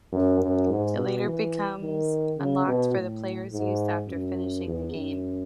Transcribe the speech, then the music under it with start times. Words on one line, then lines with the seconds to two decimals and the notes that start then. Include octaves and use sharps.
It later becomes unlocked for the player's use after finishing the game.
0.12 F#2
0.40 F#2
0.69 G#2
0.97 B2
1.25 E3
1.81 D#3
2.38 C#3
2.66 B2
2.94 A2
3.51 G#2
4.07 F#2
4.64 E2
4.92 F#2